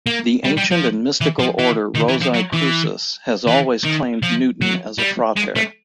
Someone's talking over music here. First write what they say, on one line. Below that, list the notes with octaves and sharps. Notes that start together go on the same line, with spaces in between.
The Ancient and Mystical Order Rosae Crucis has always claimed Newton as a frater.
A#3
G3
G3
F3
E3
F3
E3
D#3
E3
F3
F#3
E3
E3
D#3
F3
F#3
G3
G#3
A3